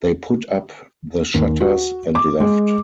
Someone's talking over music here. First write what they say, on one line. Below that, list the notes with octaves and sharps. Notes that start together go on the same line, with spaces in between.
They put up the shutters, and left.
D#2
F#4
D6
G#3